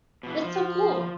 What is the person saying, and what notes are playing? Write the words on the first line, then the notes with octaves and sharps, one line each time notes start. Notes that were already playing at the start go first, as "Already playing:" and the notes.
That's so cool.
B2 E3
F3